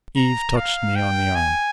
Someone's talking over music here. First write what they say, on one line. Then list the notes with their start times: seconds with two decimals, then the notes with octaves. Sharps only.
Eve touched me on the arm.
0.17 A#5
0.57 F5
0.96 G5
1.35 G#5